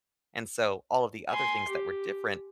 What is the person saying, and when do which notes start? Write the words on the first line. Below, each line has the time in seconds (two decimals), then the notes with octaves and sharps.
and so all of the other things that were different
1.29 G#5 C6
1.68 G4